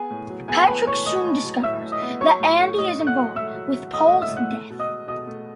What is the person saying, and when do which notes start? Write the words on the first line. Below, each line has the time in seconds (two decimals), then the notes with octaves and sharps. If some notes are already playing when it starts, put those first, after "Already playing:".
Patrick soon discovers that Andy is involved with Paul's death.
Already playing: B3 G#4 G#5
0.10 A2
0.30 F#3
0.48 B3 G#4 G#5
0.63 A5
0.68 A2 B4 B5
0.87 A2 C#5 C#6
1.06 A2 D#5 D#6
1.25 A2
1.44 F#3
1.63 A2 E5 E6
1.82 A2
1.92 D#5 D#6
2.02 B3
2.21 F#3 C#5 C#6
2.40 A2
2.59 A3
2.78 A2 D#5 D#6
2.98 A3
3.07 F#5 F#6
3.17 F#3
3.35 A3 E5 E6
3.55 F#3
3.73 F#3
3.93 A3 D#5 D#6
4.07 A2 D#5 D#6
4.22 E5 E6
4.31 A2
4.37 F#5 F#6
4.50 A3
4.70 B2
4.79 D#5 D#6
4.89 B2
5.08 B2 D#5 D#6
5.27 A3